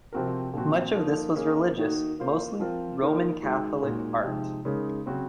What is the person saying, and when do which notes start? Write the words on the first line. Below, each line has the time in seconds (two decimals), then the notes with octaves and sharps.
Much of this was religious, mostly Roman Catholic art.
0.13 C3 F3 C4 F#4 A#4
0.54 A#2 F3 C4 F#4
0.95 F3 A#3 D#4
1.36 A#3 C#4 G#4
1.78 D#3 A#3 D#4 F#4
2.19 A#3 F4 C5
2.60 F3 C4 F4 A#4
3.01 D#3 A#3 D#4 A#4
3.42 D#3 G#3 D#4 F#4
3.83 A#2 G#3 D#4 F#4
4.24 C3 F3 G#3 D#4
4.65 C#3 G#3 D#4 A#4 C#5
5.06 C#3 F#3 C4 F#4 C5